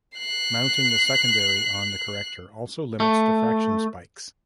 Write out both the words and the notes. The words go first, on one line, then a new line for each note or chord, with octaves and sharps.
Mounting the secondary on the corrector also limits diffraction spikes.
F#6 C7
A3